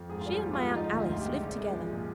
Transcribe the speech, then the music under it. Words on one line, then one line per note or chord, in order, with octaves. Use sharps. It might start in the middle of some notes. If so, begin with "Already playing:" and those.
She and my aunt Alice live together.
Already playing: F2
G#2 G#4
G3 F4
G4
A#1
F4
G#2
F3 D#4
D2
F4
D2 F4
G4
G#3
C2
G#3
F3
A#2